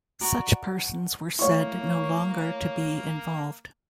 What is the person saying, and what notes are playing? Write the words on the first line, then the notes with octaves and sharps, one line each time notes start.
Such persons were said no longer to be involved.
F#4 D5 A#5 C#6
A3 A#3 E4 C#5 F5 C#6